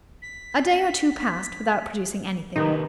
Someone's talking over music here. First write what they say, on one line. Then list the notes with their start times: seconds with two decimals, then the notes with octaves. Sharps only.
A day or two passed without producing anything.
0.22 B6
2.56 C3 D#3 D#4 G4 B4